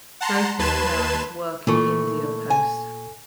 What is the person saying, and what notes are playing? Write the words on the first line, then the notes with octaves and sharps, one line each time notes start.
Both his parents work in India Post.
F#5 A5 A#5 C6
D#2 B4 A5 C6 G#6 E7
A#2 E3 A3 A4 C#6
G#5